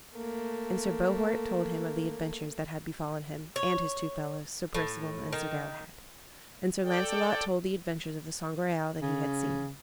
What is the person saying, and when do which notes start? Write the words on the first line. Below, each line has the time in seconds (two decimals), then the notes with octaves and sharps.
And Sir Bohort told him of the adventures that had befallen him, and his two fellows, Sir Perceval and Sir Galahad. And Sir Launcelot told the adventures of the Sangreal that he had seen.
0.15 A3 A#3
3.56 C#5
4.75 A2
5.33 D#3
6.83 A4 D5 G5
9.02 C#3